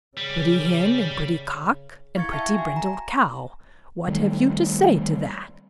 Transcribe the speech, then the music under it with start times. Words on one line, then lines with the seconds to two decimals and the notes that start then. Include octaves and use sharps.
"Pretty Hen, and pretty Cock, And pretty brindled Cow, What have you to say to that?"
0.17 C#3 G3
2.16 E4 F5 C#6 G#6 A6 C#7
2.31 E5 F5 G5 A5 C#6
2.54 F#4 G#5
2.76 A#5
4.07 D#3 G3 A3